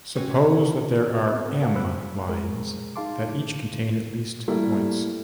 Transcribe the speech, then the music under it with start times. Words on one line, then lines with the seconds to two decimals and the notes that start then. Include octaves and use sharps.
Suppose that there are "m" lines that each contain at least points.
0.15 C4 C#4 F#4 B4 C#5
1.31 B3 C4
1.62 A#4 C#5 F5 F#5 G#5 A5
1.75 C5 B5 E6 F#6
2.29 G#3 G#4 A#4
2.96 D#4 G#4 F5 A5 C6 D6
4.48 G3 A3 A#3 E4